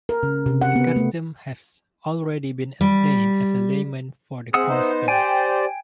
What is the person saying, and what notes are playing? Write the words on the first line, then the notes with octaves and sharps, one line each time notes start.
The custom has already been explained as a lament for the corn-spirit.
A#4
C#3
C3
F#5
B3
A3
G3
C4 G#4 E5 F#5 D#6
B3 D#4 C5
G4 C5 D5 G5 G#5